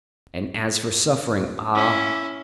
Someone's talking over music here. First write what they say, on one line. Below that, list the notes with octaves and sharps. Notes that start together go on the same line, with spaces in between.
And as for suffering--ah!
C#4 E4